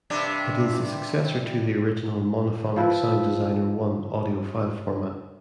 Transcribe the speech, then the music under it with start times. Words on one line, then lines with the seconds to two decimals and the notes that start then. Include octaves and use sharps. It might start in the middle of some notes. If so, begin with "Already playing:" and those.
It is the successor to the original monophonic Sound Designer I audio file format.
0.10 G2 C3 D4
2.76 F3 E4 B4 E5